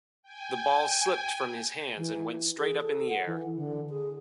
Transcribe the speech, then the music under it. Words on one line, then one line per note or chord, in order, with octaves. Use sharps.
The ball slipped from his hands and went straight up in the air.
G5 G#5
E3
G#4
A4
F#5
E3
D3
G#4